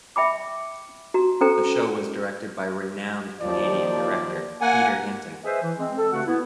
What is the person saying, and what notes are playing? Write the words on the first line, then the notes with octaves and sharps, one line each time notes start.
The show was directed by renowned Canadian director Peter Hinton.
E5 G5 B5 D6
F#4 A#5
C#4 A4 C5 G5 A#5
D#2 F3 D5
A#3 F#5 G#5
G#4 B4 C5 D#5 E5
E3
G#3 C4
A4
G2 C#3 A3 F#4 F#5
B3 E4